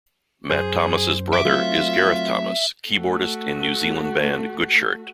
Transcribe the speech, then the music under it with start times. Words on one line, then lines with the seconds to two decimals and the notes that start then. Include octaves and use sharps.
Matt Thomas' brother is Gareth Thomas, keyboardist in New Zealand band Goodshirt.
0.50 F#2 G#4 C5
1.33 E5 D6
1.45 F#3 A3 C4 F4
2.90 A3 F#4